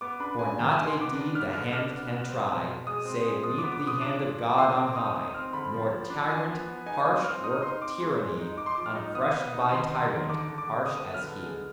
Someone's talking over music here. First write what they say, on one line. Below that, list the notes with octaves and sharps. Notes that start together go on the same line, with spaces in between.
'For not a deed the hand can try Save 'neath the hand of God on high, Nor tyrant harsh work tyranny Uncrushed by tyrant harsh as he.'
B3 D6
D4 B5
D4 G#5
D#3 G5
G#5
D#3
C6
B3 D6
D4
B3 F6
D3 F6
D4 F6
B3
B3
C4
B2
B2
G#3 D#6
C4
G#3
F3 D#6
B3 D6
D6
F3
D#6
D4 D6
F3
F3
D3 C6
C4 D6
D#4 D#6
D#4 D#6
C4 F6
D3 B5
F3
F3
D4
F3 G#5
B3
B3
D#4 G#5
C4 D#6
C4 F6
D#4 D#6
D#4 C6
C4 D6
G#3 C6
G#3
D#4
D#4 D6
C6
F3 D6
F6
D#4
B3 D#6
B3
D#4
D#3 C6
D#4
D#3
D3 D6
D3
D6
D3
D3 D#6
B3
F6
D3
G#3